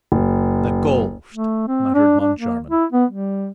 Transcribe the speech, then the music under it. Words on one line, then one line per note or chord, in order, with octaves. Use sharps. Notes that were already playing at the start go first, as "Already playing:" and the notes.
"The ghost!" muttered Moncharmin.
F#1
A3
C4
D4
D4
A#3
E4
B3
G3